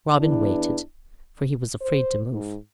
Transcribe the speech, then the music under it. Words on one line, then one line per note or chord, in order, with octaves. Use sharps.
Robin waited, for he was afraid to move.
E2 E3 D4 E4
C5
G#2